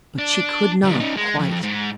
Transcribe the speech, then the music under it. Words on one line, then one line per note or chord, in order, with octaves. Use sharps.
But she could not, quite.
D4
D3 G3
C#4 D#4
G#3
F2
G#2